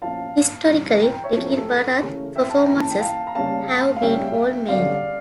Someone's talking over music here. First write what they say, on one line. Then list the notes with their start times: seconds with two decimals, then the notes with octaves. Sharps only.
Historically, dikir barat performances have been all-male.
0.02 A#2 F3 A#3 C#4 F5 A5
0.68 C#3 E3 G3 C#4
1.02 G5 A#5
1.12 G5 A#5
1.24 C#5 E5
1.35 A2 F3 C#4 A4 C#5
1.47 A#4
1.57 A4
1.69 A#4
2.02 C#3 E3 A3 C#4
2.36 E5 G5
2.49 A5
2.57 G5 A#5
2.68 E3 A#3 C#4 A#5
2.80 A5
2.91 G5
3.01 F5 A5
3.27 A#5
3.35 C#3 G3 A#3 C#4 F5 A5
3.96 F5
4.02 C#3 G3 A#3 C#4 E5 G5
4.69 D3 G3 C#4 D5 F5